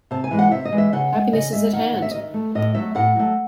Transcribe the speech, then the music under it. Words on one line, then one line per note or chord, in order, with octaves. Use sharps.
Happiness is at hand!
C3 A5
G#5
E3 G#3
F#5
C3 E5
D#5
E3 G#3
E5
C#3 F#5
G#3
C#3 D#5
G#3 E5
D#3 F#5
A3 F#5
E5
D#3 D#5
E5
A3
A2 D#5
F#3 A3 E5
A2 F#5
F#3 A3